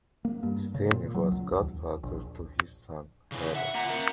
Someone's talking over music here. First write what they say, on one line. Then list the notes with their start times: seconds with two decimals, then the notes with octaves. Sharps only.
Steiner was godfather to his son Harald.
0.25 A#3
0.43 G2
0.75 C#3
0.93 A#2
1.15 F#3
1.32 C#2
1.59 D#2
2.03 A#1
3.32 C#3 E3
3.55 E5 F#5
3.74 A#3 F4 A#5
3.89 A#4 E5